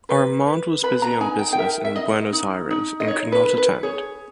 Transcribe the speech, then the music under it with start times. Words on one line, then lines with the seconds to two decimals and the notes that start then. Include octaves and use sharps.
Armand was busy on business in Buenos Aires and could not attend.
0.09 B4
0.46 B4
0.83 B4 B5
1.02 A#5
1.21 D#4 G#5
1.39 G5
1.53 G5
1.58 A#4 E5
1.85 E5
1.96 D#4 D#5
2.33 D#4
2.70 D#4
3.00 D#5
3.08 D#4 C#5
3.32 B4
3.45 B4
3.58 B4
3.83 G#4 C#5